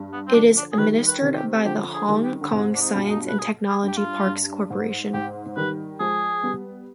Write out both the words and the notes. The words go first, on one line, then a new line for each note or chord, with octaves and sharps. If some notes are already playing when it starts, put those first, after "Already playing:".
It is administered by the Hong Kong Science and Technology Parks Corporation.
Already playing: G2
B3
C4
D3 F3 D4
D4
G#4
D#3 G3 B4
B4
C3 D#3
G4
D3 F3 G4
G#4
D#3 G3
G4
D3
G#2 C3
D4
D#4
G2 B2
D#4
B4
G#4
G#4
G2 G4
F4
G2
G#2
G#2 G4
D#3 G3 B4
F3 G#3 G#4
G3 B3